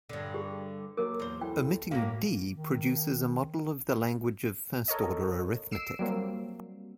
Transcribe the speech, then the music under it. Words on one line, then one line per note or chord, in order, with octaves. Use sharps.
Omitting "D" produces a model of the language of first order arithmetic.
G2 D3
G4 G#4
F#3 A#3 A#4 D6
E2 C5
E4 A4 G5
A2 A#3 F#4 F5
D#3
A4 A#4 C#5 D#5
E6 C7 D7 E7
F#3 G3 A#3 C4